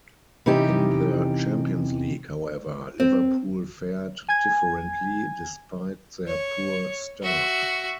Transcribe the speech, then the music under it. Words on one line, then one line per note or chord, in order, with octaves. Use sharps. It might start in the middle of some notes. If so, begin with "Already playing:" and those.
In the Champions League, however, Liverpool fared differently, despite their poor start.
C3 E3 C#4 D#4 G4
C4
G#5 G#6
C#5
F#4 E5